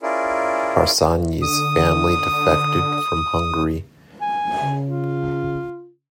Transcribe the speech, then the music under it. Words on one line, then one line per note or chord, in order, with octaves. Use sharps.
Harsanyi's family defected from Hungary.
C#4 E4 F4 G#4 A#4 D5
D3 D#6
G#5
C#3
F4